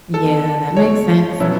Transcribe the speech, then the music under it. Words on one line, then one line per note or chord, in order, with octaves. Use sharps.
Yeah, that makes sense.
A4
C#5
B2 F#3 C#4 E4